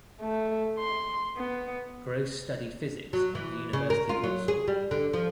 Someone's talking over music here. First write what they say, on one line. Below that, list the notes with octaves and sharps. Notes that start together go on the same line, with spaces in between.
Gross studied physics at the University of Warsaw.
A3
C6
B3
F#3
E3
C#3
A#4
F4
F#3
G#4
G3
D3
F3